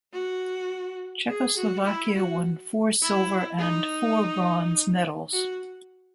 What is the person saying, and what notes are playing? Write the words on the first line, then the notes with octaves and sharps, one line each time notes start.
Czechoslovakia won four silver and four bronze medals.
F#4
G#4
F#4
E4
F#4
E4
D#4
F#4